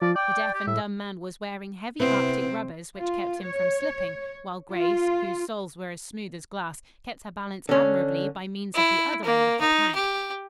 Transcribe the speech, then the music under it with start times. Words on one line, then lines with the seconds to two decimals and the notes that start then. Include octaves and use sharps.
The deaf and dumb man was wearing heavy Arctic rubbers, which kept him from slipping; while Grace, whose soles were as smooth as glass, kept her balance admirably by means of the other end of the plank.
0.01 F3 D5
0.16 D5 G5
0.54 G4
0.67 A2 E5
2.00 C3 B3 C4 E4 B4
2.97 F4
3.43 C#5
4.73 F4
7.69 D3 C#4
8.75 E4
9.24 A#3
9.61 D#4
9.95 G4